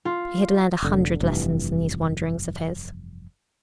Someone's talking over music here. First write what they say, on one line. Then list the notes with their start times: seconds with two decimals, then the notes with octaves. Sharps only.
He had learned a hundred lessons in these wanderings of his.
0.05 F4
0.83 F1 D3
1.21 F1 G2 E3